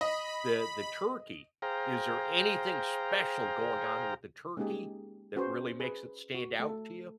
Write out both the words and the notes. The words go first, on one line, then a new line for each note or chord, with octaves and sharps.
the the turkey, is there anything special going on with the turkey that really makes it stand out to you,
D#5 B5
G#4 C5 F5 G5 A#5
G#3 A#3 C#4 D#4 G4 G#4
C#4 F#4 G#4 B4 C5
G#4 B4
F#4
A3 A4